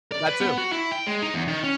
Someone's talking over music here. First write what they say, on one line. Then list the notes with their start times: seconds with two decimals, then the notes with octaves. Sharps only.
that too.
0.12 D5
0.27 B4
0.41 B3
0.58 F#4
0.72 E4
0.91 G5
1.06 G#3
1.22 D#4
1.34 E2
1.48 D#3
1.64 C#4